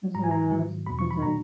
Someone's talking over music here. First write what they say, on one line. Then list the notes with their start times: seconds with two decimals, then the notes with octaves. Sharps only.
Mhm. Mhm.
0.14 G#2 F#3 A#5
0.24 G#5
0.31 A#5
0.51 G#2 D#3 F#3
0.86 E2 B2 F#3 B5
0.99 C#6
1.11 B5
1.22 A#2 F#3 A#5